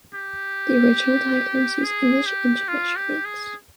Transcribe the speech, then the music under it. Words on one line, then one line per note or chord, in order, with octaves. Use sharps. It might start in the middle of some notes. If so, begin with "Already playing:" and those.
The original diagrams use English Inch measurements.
G4
G#4
G4
F4
G4
G#4